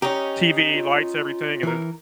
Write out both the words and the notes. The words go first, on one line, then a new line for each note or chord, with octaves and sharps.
TV, lights, everything, and then ju
C#4 D#4 G4
F4
E3 A#4